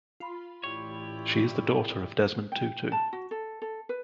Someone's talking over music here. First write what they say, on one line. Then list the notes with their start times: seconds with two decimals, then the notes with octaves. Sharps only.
She is the daughter of Desmond Tutu.
0.20 F4 B5 C6
0.64 A1 E4 G4 C#5 D5
2.52 G5
2.92 A5
3.13 F#4
3.31 A4
3.62 A4
3.89 B4